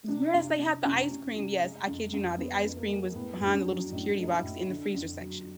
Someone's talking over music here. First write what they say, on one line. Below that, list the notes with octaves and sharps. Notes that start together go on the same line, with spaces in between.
Yes, they have the ice cream, yes, I kid you not, the ice cream was behind the little security box in the freezer section.
C3 D4
C3
C3
C3 C#4
C3
C3
G#3
F2
F2
F2 B3
F2
A#3
G#3
A2 B3
A2 D4
C#4
F#3
D4
A2 D#4
A3
D#4
E4
A2
D3
F2
F#3